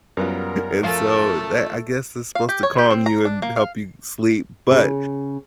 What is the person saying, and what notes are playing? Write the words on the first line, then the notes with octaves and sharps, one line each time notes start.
and so that, I guess, is supposed to calm you and help you sleep, but,
F#2 G3 B3 F4 A#4
F3 A3 A4 F5
F5
G4
C#5
G4
C4
A#5
D4
A#3
F5
C#3